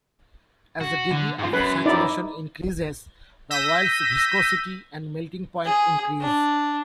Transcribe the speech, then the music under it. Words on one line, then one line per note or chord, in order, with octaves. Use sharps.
As the degree of saturation increases, the oil's viscosity and melting point increase.
F#4
D3
G#2 F3
F#2 B4
D#4 E4 D5
E6 G6 A#6 B6 D#7
G#4
D4